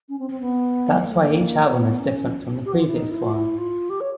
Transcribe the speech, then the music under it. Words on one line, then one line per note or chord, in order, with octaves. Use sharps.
That's why each album is different from the previous one.
C#4
C4
C4
B3
A#3
A3
A#3
B3
C#4
G4
F#4
F4
E4
D#4
E4
F4
E4
F4
G4
C#5